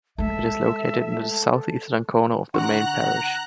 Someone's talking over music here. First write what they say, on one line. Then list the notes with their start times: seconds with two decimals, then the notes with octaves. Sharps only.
It is located in the south eastern corner of the main parish.
0.18 G#3 A3 A4 E5
2.54 D3 F#5 A#5 C#6 F#6